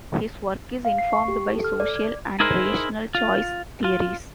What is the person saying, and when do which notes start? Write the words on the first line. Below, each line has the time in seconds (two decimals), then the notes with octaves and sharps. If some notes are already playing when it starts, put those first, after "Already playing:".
His work is informed by social and rational choice theories.
0.85 F5
0.98 C7
1.13 C#6
1.28 G4
1.52 A4
1.65 F6
1.80 D5
1.96 G#6
2.40 D#4 E4 G#4 A#4 C5
3.15 F4
3.84 F4